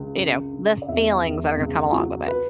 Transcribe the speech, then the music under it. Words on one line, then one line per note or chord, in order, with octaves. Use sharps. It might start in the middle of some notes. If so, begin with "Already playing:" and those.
you know, the feelings that are gonna come along with it.
Already playing: C#2
F#2
D3
D5
E2 E5
E2
C#2
F#3
B4